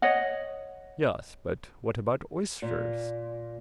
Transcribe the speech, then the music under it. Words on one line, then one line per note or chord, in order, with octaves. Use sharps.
Yes but what about oysters.
C#5 D#5 F#5
A#2